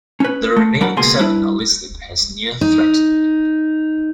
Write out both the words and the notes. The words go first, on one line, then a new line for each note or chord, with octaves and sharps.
The remaining seven are listed as Near Threatened.
C#4 B4
A3
F#3 D4 A#4 F#5 B5
C#2 B2 A#3 B3 G#4 C6
G3 D4 E4 B4
D#4